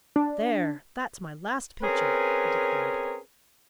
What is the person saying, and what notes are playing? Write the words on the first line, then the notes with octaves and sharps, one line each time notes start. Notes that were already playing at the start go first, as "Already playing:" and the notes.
"There, that's my last picture," he declared.
D4
C4 C#4 G#4 A#4 B4